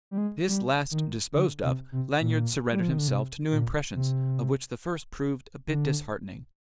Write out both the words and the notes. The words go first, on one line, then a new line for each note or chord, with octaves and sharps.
This last disposed of; Lanyard surrendered himself to new impressions--of which the first proved a bit disheartening.
G3
G#3
G3
D#3
D3
C3
C3
A#2
G3
F3
D#3
D3
C3
A#2
C3
D3